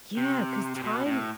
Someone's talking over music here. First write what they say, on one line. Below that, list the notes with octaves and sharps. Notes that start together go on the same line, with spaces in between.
Yeah, 'cause time
C3
C3
B2
A2